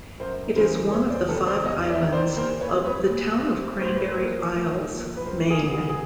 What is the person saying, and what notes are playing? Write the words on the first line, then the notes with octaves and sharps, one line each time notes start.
It is one of the five islands of the Town of Cranberry Isles, Maine.
F#2 A#4 C5
C#3 E3 A#4 C5
E2 B4 C#5
C5 D5
C3 D#3 A4 B4
C5 D5
E2 C#5 D#5
D5 E5
C3 D#3
C5 D5
A#2 A#4 C5
B4 C#5
G3 C4
B4 C#5
A#2
G3 C4
A2 C5
B4
A#4 C5
F3 A#3
A2
F3 A#3
B4
C#2 A#4 C5
G#4 A#4
B2 G3 B3
G#4 A#4
G#4